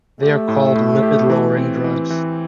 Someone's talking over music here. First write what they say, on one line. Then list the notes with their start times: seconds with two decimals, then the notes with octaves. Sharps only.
They are called lipid-lowering drugs.
0.22 A3 G4
0.48 A2
0.75 A2
1.03 G4
1.30 E3
1.57 C4
1.84 E3
2.10 E3